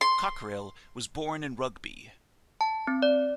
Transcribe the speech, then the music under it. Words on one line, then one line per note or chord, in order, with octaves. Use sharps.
Cockerill was born in Rugby.
C6
A5
C4
D5